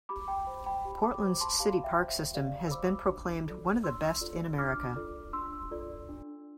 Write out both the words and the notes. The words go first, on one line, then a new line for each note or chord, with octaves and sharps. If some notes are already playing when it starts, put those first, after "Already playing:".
Portland's city park system has been proclaimed one of the best in America.
G4 B5 D6
G5 B5
C5
G5 B5
G4
B5 D6
C5 B5 D6
A5 C6
G4 F5 A5
E5 G5
C5
E5
G4 D5 F5
E6
C5 B5 D6
D4
F4 A4 D5
D4 C6 E6
F4 A4 D5
D4 D6 F6
F4 A4 D5
D4 C6 E6
F4 A4 D5
D4